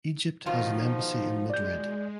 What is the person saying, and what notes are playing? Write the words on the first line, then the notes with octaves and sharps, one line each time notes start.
Egypt has an embassy in Madrid.
B2 D#3 F3 D#4 F4
G#3 D5 G6